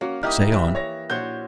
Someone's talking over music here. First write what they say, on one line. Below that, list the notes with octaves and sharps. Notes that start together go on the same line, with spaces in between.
"Say on."
A#3 C#4 F#4
D#4 E4 G4 D#6 F6
E3
C#5 A#6
A#1 F#4 C5 C#5 G6 G7